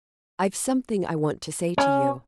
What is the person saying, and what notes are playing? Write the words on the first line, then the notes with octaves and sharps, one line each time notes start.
"I've something I want to say to you."
C#4